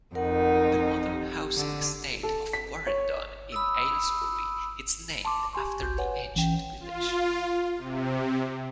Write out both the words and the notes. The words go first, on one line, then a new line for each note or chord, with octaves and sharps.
The modern housing estate of Quarrendon in Aylesbury is named after the ancient village.
F2 D#4 A#4 F#5
G4
D3
A4
B6
C#5
B5 D#6 E6
A5 C6 D6
G4 G#5 C6 C#6
G1 C2 F#4 G6
B4 C#5 F#5 G#5
A#1 E3 C#4 G5
F4
C3